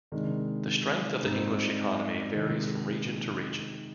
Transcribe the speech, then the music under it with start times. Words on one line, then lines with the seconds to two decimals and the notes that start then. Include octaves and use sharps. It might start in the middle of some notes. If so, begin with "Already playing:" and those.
The strength of the English economy varies from region to region.
0.12 C3 D#3 G#3 D4
1.23 G#2 G3 C4 D#4
2.33 C3 D#3 G#3